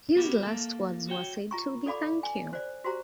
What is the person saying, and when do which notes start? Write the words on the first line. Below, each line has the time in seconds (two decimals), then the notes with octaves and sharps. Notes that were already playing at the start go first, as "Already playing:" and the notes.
His last words were said to be Thank you.
0.16 B3 F#4 G4 A#4
0.43 A#3 A4
1.09 F#4 C#5 G5
1.51 F4 A#5 C#6
1.86 A4 D5 F5 B5 D6
2.23 G#5
2.53 C5 D5
2.84 F#4 G4 C5 A#5